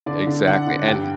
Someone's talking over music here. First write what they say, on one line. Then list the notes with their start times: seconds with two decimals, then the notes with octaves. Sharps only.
Exactly. And i
0.06 D3 D5
0.27 D3
0.47 D3 F#5
0.67 D3
0.87 G2 G5